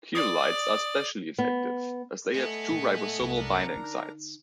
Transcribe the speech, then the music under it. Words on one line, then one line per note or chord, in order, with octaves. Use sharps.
Ketolides are especially effective, as they have two ribosomal binding sites.
D5 D#6
B3
A3 B3 D#5 G#5
A#2
C2 F#2
D4 A#4 A#5
D3 D#4